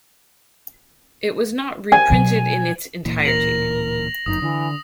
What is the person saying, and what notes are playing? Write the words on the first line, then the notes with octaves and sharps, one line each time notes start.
It was not reprinted in its entirety.
G#5
B2 F#3
D1 A#2 E3
A#4 A#6 F7 F#7
G1 F#2 D#4 D#6
D3 E3